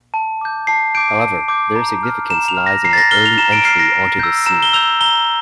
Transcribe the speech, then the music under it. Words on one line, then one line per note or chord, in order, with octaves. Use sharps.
However, their significance lies in their early entry onto the scene.
A5
D6 G6
A5 C7
D6 G6 D7
A5
D6 G6
A#5
F6
A#5 E7
F7
F6
A#6
A#5 C7
A6
A#6
F6 G7
F7
A#5 E7
D7
F6 C7
A#6
A#5
E6 G6
A#5 E7
G7
E6 G6 F7
A#5 G7